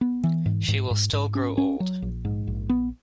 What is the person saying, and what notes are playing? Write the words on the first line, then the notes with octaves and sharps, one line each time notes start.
She will still grow old.
B3
E3
G#2
G#2
G#2
G#2
C#4
C#4
F#3
A#1
G#2
A#1
B3